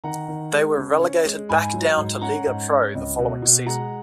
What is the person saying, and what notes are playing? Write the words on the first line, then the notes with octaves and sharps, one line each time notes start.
They were relegated back down to Lega Pro the following season.
D#3 F#5 A#5
D#3
G#3
C#3
C#4
G#3
G#2 G#5 B5
F#3
G#2
C#4 F#5 A#5
G#2
C#4
C#2
B2
B2
G#3 F#5 A#5